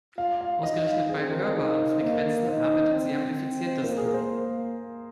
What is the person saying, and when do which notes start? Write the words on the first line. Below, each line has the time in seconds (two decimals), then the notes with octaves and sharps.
Ausgerechnet bei hörbaren Frequenzen arbeitet sie am effizientesten.
0.18 F4 F5
0.41 F5
0.63 D#4 D#5
0.76 D#5
0.86 F5
1.09 C4 G#4
1.32 A#4
1.47 G#4
1.54 D#4 A#4
1.78 C5
2.01 A#3 D#5
2.37 D#5
2.47 D#4 C5
2.92 C4
3.83 A#3 A#4
3.97 G#4
4.06 A#4
4.14 C5